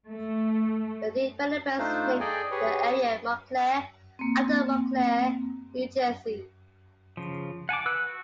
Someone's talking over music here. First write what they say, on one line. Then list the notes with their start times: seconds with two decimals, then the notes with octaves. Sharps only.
The developers named the area Montclare, after Montclair, New Jersey.
0.10 A3
1.79 A3 D4 D#4 F4 C5
2.20 G#4 A4 D5 D#5 G5 G#5
2.51 G4 G#4 B4 C#5
4.19 A#3 C4
7.17 C#3 F3
7.69 F#5 G#5 A5 D6
7.86 B4 E6 F#6
8.07 F#4